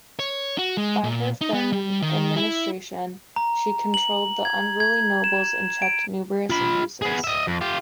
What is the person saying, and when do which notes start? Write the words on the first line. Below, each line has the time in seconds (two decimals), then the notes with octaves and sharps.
By her firm administration, she controlled the unruly nobles and checked numerous abuses.
0.19 C#5
0.58 F#4
0.77 G#3
1.04 A#2
1.41 D#4
1.54 B3
1.73 G3
2.02 D#3
2.37 E4
3.36 A#5
3.94 F#7
4.45 G#6
4.80 G#6
5.24 E7
5.82 D7
6.50 F4 B5
7.02 B3 G#4
7.24 D#5 E5
7.47 F2
7.61 F4 G4